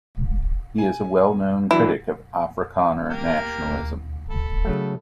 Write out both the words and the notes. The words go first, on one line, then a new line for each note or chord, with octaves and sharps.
He is a well-known critic of Afrikaner nationalism.
G#5
E3 F#3 D4 E4
A#3 G4 A#4
A4 B5
C#3 F#3 A3